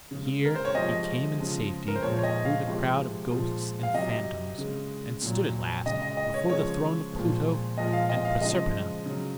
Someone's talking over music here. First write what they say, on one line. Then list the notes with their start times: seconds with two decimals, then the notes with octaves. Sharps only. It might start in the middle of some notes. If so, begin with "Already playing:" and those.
Here he came in safety through the crowd of ghosts and phantoms, and stood at last before the throne of Pluto and Proserpina.
0.11 C#3 G#3
0.45 A#4
0.56 C5
0.65 C#5
0.75 C3 F3 G#3 D#5
1.39 C#3 F3 G#3
1.88 A#4
1.95 C5
2.03 A#2 F3 G#3 C#5
2.19 C#5
2.23 D#5
2.45 F5
2.67 C3 F3 G#3
3.31 A#2 F3 G#3
3.83 F5
3.94 C3 F#3 D#5
4.58 C#3 G#3
5.22 A#2 F#3
5.86 C#3 G#3 D#5
6.02 D#5
6.17 D#5
6.34 C#5
6.49 C#3 F3 G#3 C#5
7.13 A#2 F3 G#3
7.77 A#2 F3 G#3 D#5
7.93 F5
8.09 D#5
8.25 F5
8.41 C#3 F3 G#3 D#5
9.05 C#3 F#3